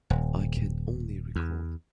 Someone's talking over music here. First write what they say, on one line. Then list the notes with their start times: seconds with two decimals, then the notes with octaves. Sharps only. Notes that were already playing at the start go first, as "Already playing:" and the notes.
I can only record.
0.10 D#1
1.36 E2